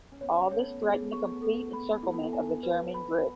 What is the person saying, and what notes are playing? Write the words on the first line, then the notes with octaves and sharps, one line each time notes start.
All this threatened the complete encirclement of the German group.
C#4
B3 C#5
C#4
B3
A3 C#5
B3 G#4
C#6
A4
B5
A3 E4
B3
A3
G#5
B4
B5